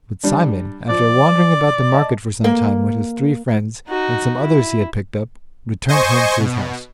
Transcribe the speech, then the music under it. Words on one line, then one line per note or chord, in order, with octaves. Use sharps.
But Simon, after wandering about the market for some time with his three friends and some others he had picked up, returned home to his house.
G3 D4
F3 D5
D#5 A5 D6
A#3
D#4 F#4
E4
C5 D#5 G#5 C#6
B2